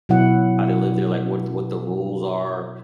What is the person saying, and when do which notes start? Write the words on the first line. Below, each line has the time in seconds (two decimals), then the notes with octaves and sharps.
how they lived there, like, what what the rules are,
0.09 B2 F#3 E4 F#5